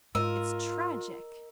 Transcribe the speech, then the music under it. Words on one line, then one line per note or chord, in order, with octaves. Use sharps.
It's tragic.
G#2 F4 A#4 D#5 E6